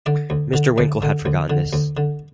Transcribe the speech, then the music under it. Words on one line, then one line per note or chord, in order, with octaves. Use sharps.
Mr. Winkle had forgotten this.
D3 D5
D2
D3
D2 D5
D3
D2
D3
D2
D3